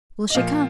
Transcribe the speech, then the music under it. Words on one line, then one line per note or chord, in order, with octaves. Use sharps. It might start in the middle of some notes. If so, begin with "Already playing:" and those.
Will she come?
D#5
A#2 F3 F5